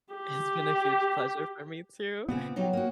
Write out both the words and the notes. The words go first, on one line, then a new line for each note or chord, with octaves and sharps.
It’s been a huge pleasure for me too.
G4
A#2 C#3 B3 C4
F#3 G3 D#4 C#5 F#5 G5
A#3 F#4